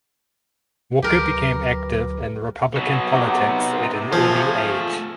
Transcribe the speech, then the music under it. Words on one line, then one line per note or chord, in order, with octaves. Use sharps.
Walker became active in Republican politics at an early age.
D2 F#3 G4 A#4 B4
B2 F#3
C3 D#4 F#5 D6
F3 A3 G#4 F5